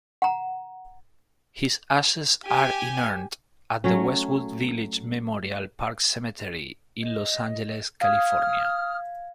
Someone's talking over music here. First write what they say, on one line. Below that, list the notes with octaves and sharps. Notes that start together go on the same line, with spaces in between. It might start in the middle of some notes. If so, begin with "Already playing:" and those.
His ashes are inurned at Westwood Village Memorial Park Cemetery in Los Angeles, California.
F#5 A#5
G4 G#5
F#3 A3 C#4
D#5
F5 D#6 F6 G#6